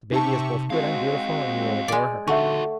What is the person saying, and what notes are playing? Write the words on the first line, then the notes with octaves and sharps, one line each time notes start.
The baby is both good and beautiful, and you will adore her.
C3 D#4 G4 E5 A5 C#6
G#3 C4 F#4 D#5 F5
G#3 D5
D3 A3 D#4 F#4 E5 F#5 C#6